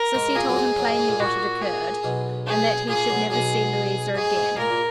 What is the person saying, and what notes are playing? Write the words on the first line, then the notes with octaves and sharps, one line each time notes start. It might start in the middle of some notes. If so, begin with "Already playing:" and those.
Sissy told him plainly what had occurred, and that he should never see Louisa again.
Already playing: A#4
G#2 G#3
A#2 A#3 G#4
F#3
G#2 G#3
F#2 F#3
G#2
G#2
A#2
A#2 F#4
G#4
B1 B2
G#4
A#2 G#4
B1 B2
B1 B2 G#4
G#2 G#4
G#2
A#2 A#4
A#2